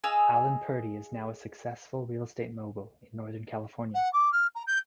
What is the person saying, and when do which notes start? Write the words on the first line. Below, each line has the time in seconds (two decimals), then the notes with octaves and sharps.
Alan Purdy is now a successful real estate mogul in northern California.
0.04 G#4 D#5 F5 E6
3.94 F#5
4.13 D6
4.32 F6
4.55 A#5
4.67 G6